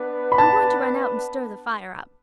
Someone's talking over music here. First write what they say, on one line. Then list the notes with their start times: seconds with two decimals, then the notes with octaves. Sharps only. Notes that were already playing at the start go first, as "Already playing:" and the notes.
I'm going to run out and stir the fire up.
Already playing: B3 D4 B4
0.32 B5
0.38 A5